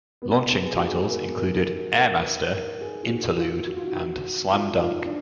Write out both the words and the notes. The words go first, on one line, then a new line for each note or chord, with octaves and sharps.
Launching titles included "Air Master", "Interlude", and "Slam Dunk".
B3
G#4
F#4
G#4
A#4
A#4
G#4
A#4
F#4
A#4
B4
A#4
G#4
F4
F#4
F4
F#4
F4
F#4
F4
F4
D4